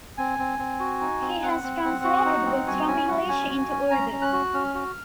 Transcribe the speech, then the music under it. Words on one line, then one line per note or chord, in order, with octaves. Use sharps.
He has translated books from English into Urdu.
C4 G#5
C4
C4
F#4
D#4
C4
C4 F#5
C4
C4
F#4
D#4
C4
F#4 G#5
C#4 G#5
F#4 F#5
C#4 G#5
F#4
C#4
C#4 A#5
C#4
F#6
F#4
C#4 F6
F#4